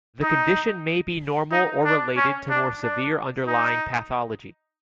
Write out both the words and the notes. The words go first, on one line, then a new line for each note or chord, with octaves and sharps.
The condition may be normal or related to more severe underlying pathology.
D#4
D#4
D4
C#4
D4
D4
D#4